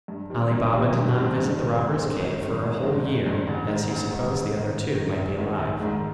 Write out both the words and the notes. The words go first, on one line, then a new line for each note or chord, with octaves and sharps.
Ali Baba did not visit the robbers' cave for a whole year, as he supposed the other two might be alive.
G2
D#3 G3 C4
G2
D#3 G3 C4
G2
D#3 G3 C4
G2
D#3 G3 C4
G#1
G2 D#3 G#3 C4
G#1
G2 D#3 G#3 C4
G#1
G2 D#3 G#3 C4
G#1
G2 D#3 G#3 C4
A1
G#2 D#3
A1
G#2 D#3
A1
G#2 D#3
A1
G#2 D#3
A#1
G#2 D#3 G#3
A#1
G#2 D#3 G#3